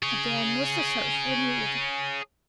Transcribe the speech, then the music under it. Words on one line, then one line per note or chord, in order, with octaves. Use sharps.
Again was the search renewed.
G#4 C#5